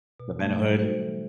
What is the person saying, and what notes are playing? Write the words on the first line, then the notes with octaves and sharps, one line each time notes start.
The Vent-A-Hood?
B2
F#3 A3
G3
D#4 F#4 A4 C5
E3